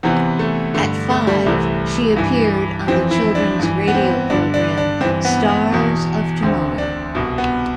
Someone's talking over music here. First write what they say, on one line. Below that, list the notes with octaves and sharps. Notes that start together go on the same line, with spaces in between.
At five, she appeared on the children's radio program "Stars of Tomorrow".
E2 C3 E3 B3
A3
G2 D3 A3
A3
G3
C2 C3 E3 A3
G2 E3
F2 E3 C4
E4
D4
G2 E3
B3
C4
G2 D3 D4
D4
D4
G2 E3 C4
B3
B3
E2 B2
D2 D3 C4
D4
C2 B2
B3